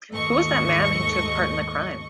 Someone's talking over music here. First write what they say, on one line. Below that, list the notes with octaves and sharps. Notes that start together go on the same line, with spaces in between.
Who was the man who took a part in the crime?
D#2 G#2 A3 D#5 C#6